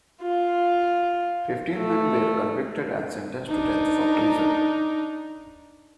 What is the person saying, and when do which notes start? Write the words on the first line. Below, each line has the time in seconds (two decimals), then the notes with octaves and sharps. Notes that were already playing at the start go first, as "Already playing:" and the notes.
Fifteen men were convicted and sentenced to death for treason.
0.22 F4
1.74 A3
3.49 D4 D#4